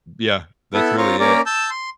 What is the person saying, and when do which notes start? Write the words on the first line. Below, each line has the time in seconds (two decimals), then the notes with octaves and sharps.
Yeah, that's really it.
0.74 B3 E4 A4
0.97 C4 F4 A#4 C#5
1.19 A#3 C#4 A#4 D5
1.46 A5 E6 G6
1.70 C6